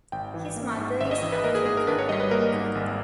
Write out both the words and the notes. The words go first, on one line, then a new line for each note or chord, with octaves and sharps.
His mother is African-American.
G#1 G5
E3
A#3
G#2
G#1 E5
D#5
E3
B4
A#3 A#4
G#4
G#2 G#4
A#4
G#1 B4
C#5
G3 D#5
B4
A#3 A#4
G#2
G#1